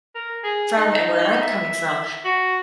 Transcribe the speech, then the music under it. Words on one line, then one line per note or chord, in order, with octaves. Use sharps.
from and where I'm coming from,
A#4
G#4
D#4
E5
F#4